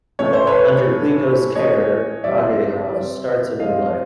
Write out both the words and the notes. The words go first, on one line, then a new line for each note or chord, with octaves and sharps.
Under Glico's care, Ageha starts a new life.
A2 E3 A3 C#4 C#5
C5
B4 C#5
A2 E3 A3 C#4
A2 E3 A3 C#4 C#5 D#5
E3 G3 C4 D5 E5
E3 G3 C4
E3 G3 C4 D#5 F5